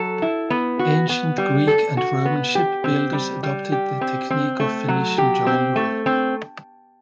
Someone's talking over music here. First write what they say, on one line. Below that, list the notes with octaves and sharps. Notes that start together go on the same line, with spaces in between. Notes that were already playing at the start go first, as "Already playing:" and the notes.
Ancient Greek and Roman shipbuilders adopted the technique of Phoenician joinery.
Already playing: F#3 A4
E4
B3
F#4
B3
G3
A4
F#4
B3
G4
C4
G3
G3
G4
C4
C4
A3
F#3
G4
C4
A3
C4